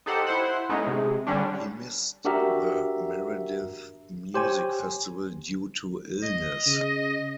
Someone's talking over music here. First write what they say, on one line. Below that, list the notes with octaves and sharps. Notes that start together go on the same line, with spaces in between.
He missed the Meredith Music Festival due to illness.
D#4 G4 A4 C5 F#5
E4 C5 F#5
G#3 A3 B3 C#4 D#4
C3 G#3
D3 G3 C#4 D4
D4 F#4 G4 A#4 E5 A#5
G4 C5 C#5 G#5
D#5
C#3